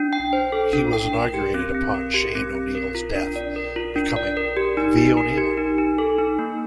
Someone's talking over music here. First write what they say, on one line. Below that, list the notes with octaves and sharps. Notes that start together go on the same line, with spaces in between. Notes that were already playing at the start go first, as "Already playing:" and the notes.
He was inaugurated upon Shane O'Neill's death, becoming "The O'Neill".
Already playing: D4
G5
C5
A4
D4
G5
A#4
G4
C4
C4
A#4
G4
C4
C4
A#4
F4
D4
D5
A#4
F4
D4
D5
A#4
G4
D#4
D#4
A#4
G4
D#4
D#4
A4
D#4
A#3